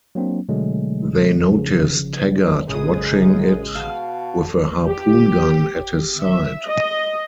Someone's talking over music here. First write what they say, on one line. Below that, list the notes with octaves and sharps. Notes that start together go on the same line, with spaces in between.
They notice Taggart watching it with a harpoon gun at his side.
F#3 A#3 C4 D4
B2 D3 F#3 G#3 A3
C#3 F3
A1 F#2 C#3 G#3 D#6
B2 F#4 F5 A5
G4
E5
D#5